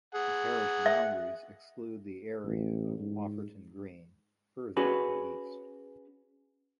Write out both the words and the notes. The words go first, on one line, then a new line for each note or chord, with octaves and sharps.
The parish boundaries exclude the area of Offerton Green, further to the east.
G#4 F#5
E5
A1
G#2
C#4 F#4 G#4 B4